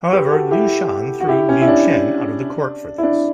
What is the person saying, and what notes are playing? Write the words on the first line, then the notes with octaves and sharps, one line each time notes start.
However, Liu Shan threw Liu Chen out of the court for this.
G4 B4
F#4 A4
E4 G4
F#4
E4 G4
C#4
E4
D4
E4
D4